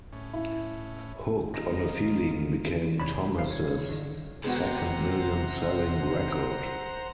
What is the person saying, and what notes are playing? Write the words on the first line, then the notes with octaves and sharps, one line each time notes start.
"Hooked on a Feeling" became Thomas's second million-selling record.
A2 C#4
E4
D#3 D#4 F4 A#6
C3 E3 D4 C#5 A5 B5
D4 C5 F5
C2 C#5
G2 D3 D#3
C3 G#3 B3 F#4 C5 F#5 A#5